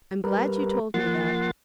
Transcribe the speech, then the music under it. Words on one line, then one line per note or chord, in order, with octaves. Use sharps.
'I'm glad you told me that.
G3 A#4 B4
F3 A#3 F#5 C6 A6